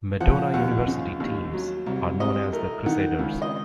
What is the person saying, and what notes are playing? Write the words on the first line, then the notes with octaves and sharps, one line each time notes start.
Madonna University teams are known as the Crusaders.
F3 F#5
D#2 F#5
C#3
D#2
F#3
C2
C3 D#5
A3 A#4
D#3 F#5
C#2
D#5